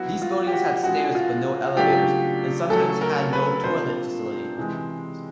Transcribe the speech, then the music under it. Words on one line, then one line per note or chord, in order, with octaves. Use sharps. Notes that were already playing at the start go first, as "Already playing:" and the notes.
These buildings had stairs but no elevators, and sometimes had no toilet facility.
Already playing: F#3 B3 E4 F#4
F4
G4
F#4
F3 G#3 C#4 E4 F#4
F4
C#3 F#3 A3 D4 F4 G4
C#3 F#3 A3 C#4 A4
A#4
B4
C3 F3 A#3 D4 F4 C5
C3 E3 G#3